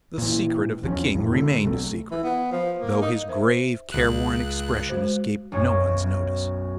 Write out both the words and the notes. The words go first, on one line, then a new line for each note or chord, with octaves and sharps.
The secret of the King remained a secret, though his grave, careworn expression escaped no one's notice.
A#2 E3
E2 F3 C#4
F2 A2 E3
D3 G#3 A3
B1 C3 A3
E3
B3
F3
A#3
D#4
A#4 C5 E5
C#2 F#6
G#3 F#4 C5
B1 F#2 C#5